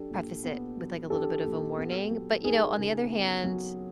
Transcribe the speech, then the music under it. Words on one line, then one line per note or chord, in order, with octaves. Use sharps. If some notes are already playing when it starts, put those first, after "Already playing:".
Preface it with, like, a little bit of a warning, but, you know, on the other hand,
Already playing: F#3 D4 G4 A4
A#2
B3
F#3
D4 G4 A4
A#2
B3
F#3
D#4 G#4 A#4
C#3
B3
F#3